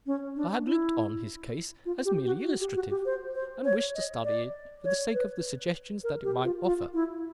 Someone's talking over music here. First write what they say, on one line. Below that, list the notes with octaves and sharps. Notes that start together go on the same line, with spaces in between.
I had looked on his case as merely illustrative, and wished to study it for the sake of the suggestions that it might offer.
C#4
D4
E4
F4
G4
F#4
F#4
G4
F#4
G4
C5
C5
C#5
D#5
D5
C#5
B4
A#4
G4
F4
F4
E4